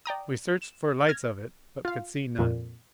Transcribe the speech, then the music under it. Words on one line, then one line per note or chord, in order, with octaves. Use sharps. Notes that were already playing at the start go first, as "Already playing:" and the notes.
We searched for lights of it, but could see none.
D5 G5 A#5 D#6
E7
F6 G#6 A#6
F4 F5
F2 A#2